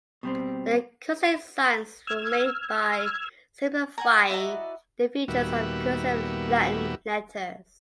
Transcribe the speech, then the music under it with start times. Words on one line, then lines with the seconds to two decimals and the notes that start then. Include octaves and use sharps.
The consonant signs were made by simplifying the features of cursive Latin letters.
0.23 B2 G3 C4
2.07 E6 F6 G#6
3.98 F#5 G#5 A#5
4.30 E4 F#4 D5 D#5 A#5
5.28 D#2 A#2 G3 B3 F#4 E5